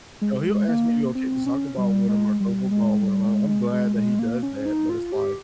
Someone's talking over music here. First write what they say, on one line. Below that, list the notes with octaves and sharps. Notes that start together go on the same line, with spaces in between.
you know, he'll ask me to go kick the soccer ball with him or throw a football with him, and I'm glad that he does that, but it's like,
G#3
A#3
C4
C#4
G3
G#3
G3
G#3
G3
G#3
G#3
G#3
G#3
A#3
C#4
D#4
F4
G4